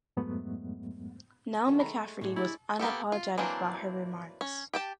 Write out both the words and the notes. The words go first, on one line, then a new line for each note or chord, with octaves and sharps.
Nell McCafferty was unapologetic about her remarks.
F2 G#2 F#3 G#3 A3 B3
D#3 F#3 A3
G#3 A3 A#5 B5
A2 G#3 D4 C#5
A3 E4 G4 D5 G#5
A#3 B3 G4 A4
F4
E3 F#3 A#3 C4 D4
C#4
G4 G5 A5